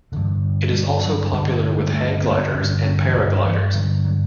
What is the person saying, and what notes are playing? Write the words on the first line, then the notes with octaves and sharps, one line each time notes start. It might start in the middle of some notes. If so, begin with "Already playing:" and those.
It is also popular with hang gliders and paragliders.
G2 D3 E3
G3
F#3
G2 D3 G3
G3
A3
A3
G3
A3
B3
A3
B3
G2 D3 C#4
C#4
E3
D3
E3
G2 D3 F#3
F#3